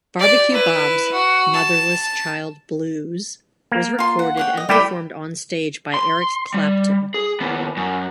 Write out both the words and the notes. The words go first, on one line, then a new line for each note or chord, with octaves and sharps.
Barbecue Bob's "Motherless Child Blues" was recorded and performed on stage by Eric Clapton.
G4 D5
E4 B4
F#4
A5
A#3
F4 C6
F#5
C#5 F#5 G5
D#5
G3 A3 E4 G4 G5 B5
C6
G3
G#4
D#2 B3
F#2